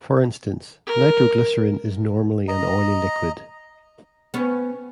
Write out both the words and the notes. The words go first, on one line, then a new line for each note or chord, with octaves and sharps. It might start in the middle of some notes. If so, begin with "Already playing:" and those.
For instance, nitroglycerin is normally an oily liquid.
A#4
D#5 A#5
B3 C#4